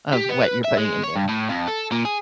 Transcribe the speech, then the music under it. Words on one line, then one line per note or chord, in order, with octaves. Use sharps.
of what you're putting in there.
G4
B3
B4
E5
G#3
C#5
G2
A2
F2
A4
A#2
G#4